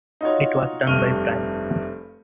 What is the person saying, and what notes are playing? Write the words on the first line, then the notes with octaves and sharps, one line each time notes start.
It was done by France.
D#4 F4 F#4 C#5
F1 G2 C#6 F6 D#7 G7